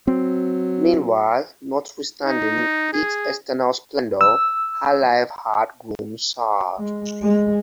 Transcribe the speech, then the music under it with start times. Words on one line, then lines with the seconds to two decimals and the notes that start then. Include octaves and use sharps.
Meanwhile, notwithstanding its external splendor, her life had grown sad.
0.07 F#3 C4
2.25 D#4
2.93 G#4
4.21 E6
6.79 G#3
7.22 G#3